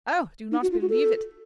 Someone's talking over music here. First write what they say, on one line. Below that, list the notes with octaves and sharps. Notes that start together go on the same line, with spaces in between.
Oh! do not believe it!
D#4
F#4
F4
F#4
A4